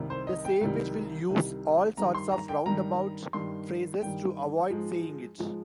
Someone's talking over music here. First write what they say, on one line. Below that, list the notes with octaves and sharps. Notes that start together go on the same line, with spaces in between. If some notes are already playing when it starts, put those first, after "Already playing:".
The savage will use all sorts of roundabout phrases to avoid saying it.
Already playing: C2 C3 D#3 G3
C5
D#5
G5
C2 C3 D#3 G3
C2 C3 D#3 G3
G2 D#3 G3 A#5
C6
A#5
G5
G2 D#3 G3 A#5
G2 D#3 G3 C6
G2 D#3 G3 G5
G#2 F3 G#3
G#2 F3 G#3